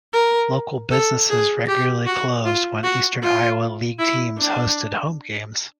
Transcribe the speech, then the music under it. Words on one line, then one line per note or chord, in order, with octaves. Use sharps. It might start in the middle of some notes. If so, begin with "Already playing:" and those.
Local businesses regularly closed when Eastern Iowa League teams hosted home games.
A#4
A4
G#4
G4
F#4
F4
F#4
F4
E4
D4